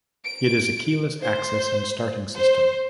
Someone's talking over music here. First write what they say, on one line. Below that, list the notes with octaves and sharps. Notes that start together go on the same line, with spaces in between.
It is a keyless access and starting system.
D7
C5
C5